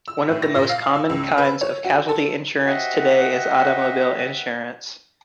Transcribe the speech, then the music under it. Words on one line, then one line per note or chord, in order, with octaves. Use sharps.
One of the most common kinds of casualty insurance today is automobile insurance.
E6
A2
A#6
A#2
F5
E6
C#2
B4
C#5
F#4
A4
F#4 G4 C5 D#5 E5 F#5